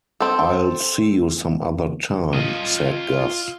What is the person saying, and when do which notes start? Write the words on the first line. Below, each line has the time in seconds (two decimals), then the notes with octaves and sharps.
"I'll see you some other time," said Gus.
0.20 C4 A4
2.34 F4 D#5